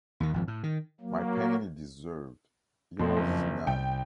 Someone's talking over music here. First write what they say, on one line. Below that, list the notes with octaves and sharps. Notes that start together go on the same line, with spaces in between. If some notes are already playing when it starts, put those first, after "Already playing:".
My pain is deserved; yours is not.
D#2 D#3
G#1 F2 F3
A2
D#3
F#3 A#3
F2 B2 A3 C6
F#1
C2 G5